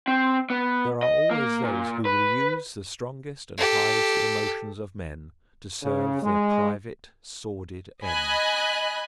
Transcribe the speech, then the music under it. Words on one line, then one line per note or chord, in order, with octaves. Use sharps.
There are always those who will use the strongest and highest emotions of men to serve their private, sordid ends.
C4
B3
D#5
A#3
A#2
B4
G4 A4
C#3
G#3
D#5 G#5 B5 F#6